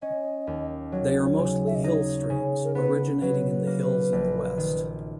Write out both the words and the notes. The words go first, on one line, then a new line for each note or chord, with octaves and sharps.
They are mostly hill streams, originating in the hills in the west.
C#4 D#5
D#2
F#3 C#5
C#3
E5
D#5
D#4 C#5
C#3
A#4
B3 B4
F#3 B4
A#3
A#1
D#3